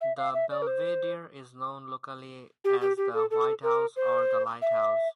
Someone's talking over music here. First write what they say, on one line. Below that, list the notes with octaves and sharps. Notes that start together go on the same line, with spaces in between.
The Belvedere is known locally as the "White House" or the "Light House".
E5
F5
E5
D5
A#4
C5
G4
G4
G4
A4
A4
A#4
C5
E5